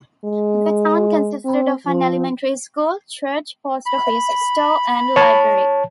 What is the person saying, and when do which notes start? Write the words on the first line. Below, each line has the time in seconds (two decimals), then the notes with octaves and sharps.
The town consisted of an elementary school, church, post office, store, and library.
0.25 G#3
1.45 C4
1.87 F3
3.86 B5
5.16 C#5 A5